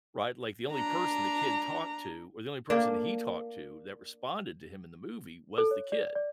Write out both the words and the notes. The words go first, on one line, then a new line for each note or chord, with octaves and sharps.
right? Like, the only person the kid talked to or the only person he talked to that responded to him in the movie was the kid.
D4 A#5
A#3 D4
A4
C#5
D5
D5